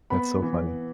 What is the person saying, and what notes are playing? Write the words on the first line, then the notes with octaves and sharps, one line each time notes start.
That's so funny.
B3 B5
E3